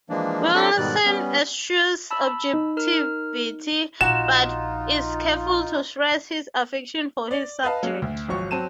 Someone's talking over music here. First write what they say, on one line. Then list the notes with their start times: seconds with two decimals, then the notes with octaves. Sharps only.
Wilson eschews objectivity, but is careful to stress his affection for his subject.
0.10 E3 F3 G#3 A#3 D4
0.54 F#3 C4 D4 F4 G4 A4
0.77 G#2 B2 D#3 G3 D5 F#6
1.05 G3 B3 C#4
2.11 A5 B5 E6
2.54 D#4
2.77 A#4 F6
4.01 A#1 D#4 F4 F#4 E7
7.31 D5
7.63 B4 D#5 F5 A5
7.83 F#3 A#3 C#4
8.02 D2
8.28 G#1 F3 F#3 C#6
8.51 F#3 C4 A5 D#7 E7